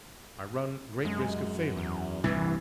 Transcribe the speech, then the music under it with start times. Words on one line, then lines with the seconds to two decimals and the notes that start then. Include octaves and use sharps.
I run great risk of failing.
1.05 F#2 G#3
1.77 E2
2.24 D#1 C2 G2 E3